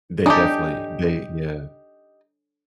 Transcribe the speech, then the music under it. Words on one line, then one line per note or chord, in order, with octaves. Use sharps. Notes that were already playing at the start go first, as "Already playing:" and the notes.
They definitely they Yeah.
D4 D#4 G4 A4 C#5 G#5